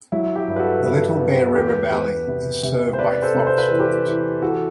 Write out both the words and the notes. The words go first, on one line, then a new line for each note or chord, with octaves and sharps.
The Little Bear River valley is served by forest roads.
F#3 E4
E4 G4
G2
B4
F#4 A4
G2
B3
A4
E2 G4 B4
E2 G4 B4
C3
C3
C5
C3 B4 D5
A4 C5
C3
C5
B4
E3 A4
G4 B4
E3
E3 F#4 A4